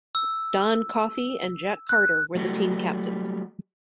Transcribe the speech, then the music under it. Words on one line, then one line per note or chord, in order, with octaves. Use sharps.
Don Coffey and Jack Carter were the team captains.
E6
F#6
F#3 G3 A3 F#4